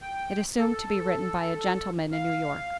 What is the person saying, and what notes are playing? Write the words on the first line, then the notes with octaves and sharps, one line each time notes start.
It assumed to be written by a gentleman in New York.
G5
A4
F5